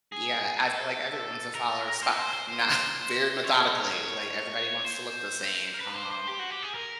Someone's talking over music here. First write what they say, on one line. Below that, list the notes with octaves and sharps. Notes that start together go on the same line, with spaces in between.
Yeah, I feel like everyone's a follower, spa nah, very methodically, like, everybody wants to look the same, um,
G#4
A4
A#4
C5
B4
C5
C5
C5
C#5
C#5
C5
A#4
B4
C5
C5
G4
F#4
G4
G#4
A#4